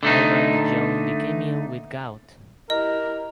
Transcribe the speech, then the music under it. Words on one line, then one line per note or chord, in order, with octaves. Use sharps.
Ivan the Young became ill with gout.
D3 A3 D#4
E4 G4 A#4 D#5